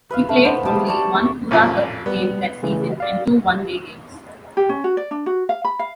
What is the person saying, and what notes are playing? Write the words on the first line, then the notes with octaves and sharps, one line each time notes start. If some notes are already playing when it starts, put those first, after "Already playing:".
He played only one Pura Cup game that season and two one-day games.
B4 E5 F5
A3
B3 D4 C5
G3 G5 A5 D#6
C#5 D5 A5
C#6
A1 F2 A#2
G3 B3
C#3 E3 A3
D5 F5
G4
C#4
F#4
D5
D4
F#4
F5
B5
F5